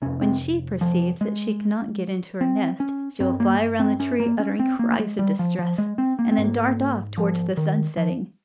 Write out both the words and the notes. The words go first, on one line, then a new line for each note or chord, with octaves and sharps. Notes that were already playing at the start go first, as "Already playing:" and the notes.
When she perceives that she cannot get into her nest she will fly round the tree uttering cries of distress, and then dart off towards the sun-setting.
F2 C3 C#4
C4
F3
G#3
C4
C#4
G2 C4
A#3
C4
C#4
A#3
C#4
C4
A#3
G#3
G3
F3
F3
G#3
C4
A#3
C4
G#2
A#3
F3
D#3
F3